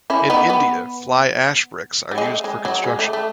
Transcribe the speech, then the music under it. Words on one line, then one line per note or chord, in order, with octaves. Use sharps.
In India, fly ash bricks are used for construction.
C#4 E4
B3 D#4
B3
F#3
G#3
A3
G#3
F#3
G#3
A3
A3